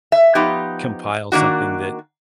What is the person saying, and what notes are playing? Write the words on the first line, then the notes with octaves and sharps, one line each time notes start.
compile something that,
E5
F3 B3 D#4 G4
D#3 A#3 D4 F#4